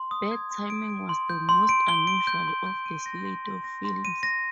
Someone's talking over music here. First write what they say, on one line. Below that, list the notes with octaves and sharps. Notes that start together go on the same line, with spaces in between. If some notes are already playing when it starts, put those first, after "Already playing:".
"Bad Timing" was the most unusual of the slate of films.
Already playing: C6
D#6
G#6
C6
D7
D7
C6
G6
C6
D7
G7
D7
G6
C6
G6
D#7
A#6
C6
C6
A#6
C6
D#7
A#6